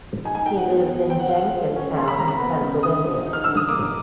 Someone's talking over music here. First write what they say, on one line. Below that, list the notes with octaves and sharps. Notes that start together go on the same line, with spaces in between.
He lived in Jenkintown, Pennsylvania.
D#4 G#5
G#5
D#4 G5
F#5
B3
B3
C4 G5
F#5
F5
C4 F#5
F3
C#4
A#3 C6
B5
C3 A#5
B5
B3
C#3
D4 D#6
F3
D#4
F6
D3 E6
D#6
A#3 D6